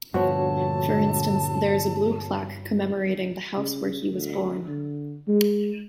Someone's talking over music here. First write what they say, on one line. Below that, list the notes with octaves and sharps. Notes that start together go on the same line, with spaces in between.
For instance there is a blue plaque commemorating the house where he was born.
G2 A#2 D3 F3 B3 F#4 C#5 A5
C#3
D2
D3
G#3